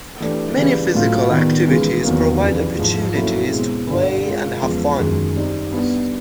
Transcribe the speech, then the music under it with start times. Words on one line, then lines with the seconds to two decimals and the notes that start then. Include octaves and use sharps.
Many physical activities provide opportunities to play and have fun.
0.20 E3 A3 D4 G4
0.57 C#3 E3 G3
0.94 A2 F#3 A3 C4 F4
1.30 D#3 G3 B3
1.68 C#3 E3 G#3
2.04 E2 C3 D#3 F#3 A#3
2.41 F2 C#3 E3 G3
2.77 G#2 F3 G#3
3.15 F#3 A#3 C#4 E4 A4
3.52 B2 G#3 C4
3.89 G2 D3 G3
4.25 G#3 C4 F4 A#4
4.62 E2 C#3 F3 G#3
4.98 F#2 D#3 G#3
5.35 G3 C4 D#4
5.72 G3 B3 D4